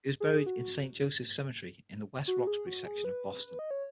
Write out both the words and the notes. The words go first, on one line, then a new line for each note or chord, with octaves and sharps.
He was buried in Saint Joseph Cemetery in the West Roxbury section of Boston.
G#4
F#4
F#4
G#4
F#4
G#4
B4
D#5
C#5